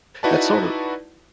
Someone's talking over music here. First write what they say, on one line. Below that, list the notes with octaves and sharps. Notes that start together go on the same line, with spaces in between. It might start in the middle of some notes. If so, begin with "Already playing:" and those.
that's sort of
D#4 E4 F#4 B4 D5 A5